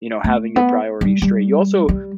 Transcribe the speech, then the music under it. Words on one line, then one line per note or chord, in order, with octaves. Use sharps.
you know, having your priorities straight. You also
A3
B3
G3
G3
G3